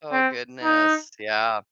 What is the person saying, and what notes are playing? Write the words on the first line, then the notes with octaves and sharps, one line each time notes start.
Oh, goodness, yeah.
C4
D#4